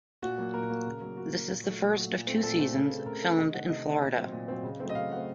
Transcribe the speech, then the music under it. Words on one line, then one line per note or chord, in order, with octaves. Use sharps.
This is the first of two seasons filmed in Florida.
A#2 F#4
F#3 A#3
A#2 A#4
F#3 A#3
C#3
F#3 A#3
C#3 F#4
F#3 A#3
A#2
F#3 A3
A#2
F#3 A3
A#2
A3 C4
A#2 A4
A3 C4
C#3
A3 C4
C#3 A#4
A3 C4 A4
C3 D#5
D#3 A3 C4 F#5
C3 D#5
D#3 A3 C4
A#2
F#3 C4
A#2
F#3 C4
C#3
F#3 A3 C4
D#5
C#3 F5
F#3 A3 C4 F#5